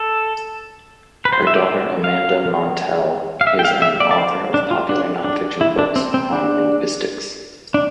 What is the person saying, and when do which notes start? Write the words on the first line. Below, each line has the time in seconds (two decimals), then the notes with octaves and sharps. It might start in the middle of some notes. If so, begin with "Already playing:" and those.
Her daughter Amanda Montell is an author of popular nonfiction books on linguistics.
Already playing: A4
1.25 B4
1.33 C5
1.47 E5
1.55 D5
2.04 F5
3.41 F5
3.47 E5
3.59 G5
3.65 F5
3.82 E5
4.00 D5
4.11 D5
4.18 C5
4.54 D4
4.71 F4
4.89 D4
5.24 D4
5.61 E4
5.79 D4
5.96 C4
6.14 C4
6.33 D4
7.74 D4